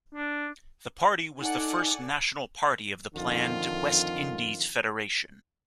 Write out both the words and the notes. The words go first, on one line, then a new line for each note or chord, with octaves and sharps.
The party was the first national party of the planned West Indies Federation.
D4
D#4 A4 D5 F#5 G#5
F2 D3 D#3 F4